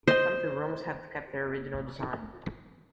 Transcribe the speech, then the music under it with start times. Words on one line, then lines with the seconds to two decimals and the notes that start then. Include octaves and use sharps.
Some of the rooms have kept their original design.
0.07 C5 D#5 C6